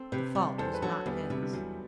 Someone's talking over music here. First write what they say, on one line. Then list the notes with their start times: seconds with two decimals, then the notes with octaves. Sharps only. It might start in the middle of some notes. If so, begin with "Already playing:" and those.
The fault was not his.
Already playing: C4 A4
0.12 C3 G4 B4
0.35 G3
0.58 E2 A4 C5
0.74 B4
0.82 F#3 F#4 A4
1.06 E2 G3 B3
1.30 C3 G3
1.43 G3
1.53 E2 F#3